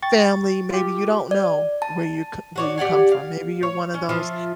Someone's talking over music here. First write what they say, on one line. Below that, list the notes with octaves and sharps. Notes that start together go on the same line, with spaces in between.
family, maybe you don't know where you c where you come from, maybe you're one of those
G5 C#6 A6
F4 G4
D5
A5
F#4 C#5 D5
G4 D5 F#5 G#5
F5
C#5
C#4
F3 F4 E5